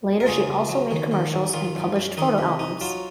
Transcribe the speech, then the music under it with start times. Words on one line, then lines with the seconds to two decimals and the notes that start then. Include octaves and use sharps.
Later she also made commercials and published photo albums.
0.20 A#4
0.26 C#2 F4 G#4
0.47 C#2
0.69 F#3
0.91 D#3
1.11 D#3
1.33 G#2
1.54 D#3 F4
1.75 F#2
1.96 F#2
2.17 D#3 D#4
2.38 C3
2.59 D#4
2.81 F#3 F4